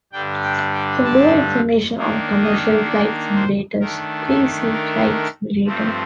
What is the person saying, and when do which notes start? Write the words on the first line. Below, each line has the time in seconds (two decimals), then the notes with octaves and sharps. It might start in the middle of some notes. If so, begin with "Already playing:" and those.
For more information on commercial flight simulators please see Flight Simulator.
0.13 G2 D3 G3 D4 G5
0.44 G5
0.75 G5
1.05 A5
1.97 D#3 A#3 D4
2.43 D#5
2.89 D5
3.35 C5
3.80 D#3 A3 D4 A#4
4.27 A4
4.72 A#4
5.65 G2 F3 A3 C4